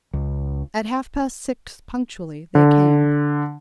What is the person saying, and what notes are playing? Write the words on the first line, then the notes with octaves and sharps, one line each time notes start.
At half-past six punctually they came.
C#2
D3